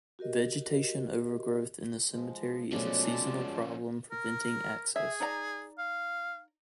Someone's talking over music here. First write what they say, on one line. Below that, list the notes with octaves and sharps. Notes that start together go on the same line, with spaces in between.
Vegetation overgrowth in the cemetery is a seasonal problem preventing access.
F#4 G4 A#4 D#5
F3 G#3
B2 F3 F#3 G#3 A3 C#4 D5 A5
A#4
G#4 E5
D#4 D5 A#5
F5